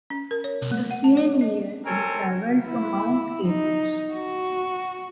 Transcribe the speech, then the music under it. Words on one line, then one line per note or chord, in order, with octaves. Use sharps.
In the same year he traveled to Mount Athos.
C#4
A#4
C#5
A3
F#5
A5
C#5
D#5
C4 A4 A#4 C#5 G#5
E4
D#4
F#4